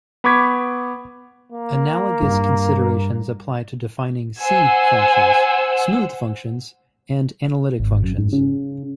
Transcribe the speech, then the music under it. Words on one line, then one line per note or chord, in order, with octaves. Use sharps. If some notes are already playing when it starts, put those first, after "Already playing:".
Analogous considerations apply to defining "C" functions, smooth functions, and analytic functions.
B3 B5 C#6 D6 G#6 B6
A#3
G2
C5 F#5 G#5 E6
G#1
F#2
G#2
C#3